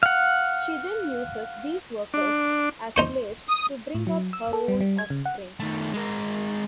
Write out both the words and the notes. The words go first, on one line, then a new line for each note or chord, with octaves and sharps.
She then uses these workers as slaves to bring up her own offspring.
F5 F#5
D4
D#4 C5 C#6
D#6
A2
F#3
E6
A4
G3
G3
G#6
C#3
F#5
D#3 A3
G#3 A#4